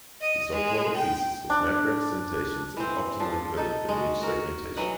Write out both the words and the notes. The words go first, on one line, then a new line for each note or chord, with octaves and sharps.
His doctoral thesis was "Map Representations and Optimal Encoding for Image Segmentation".
D#5
G#3
G5
D4
E3 C4
F3 D4
D#4 A4
G#3 F#4
F#4 A#4
E3 F#3 D#5 F#5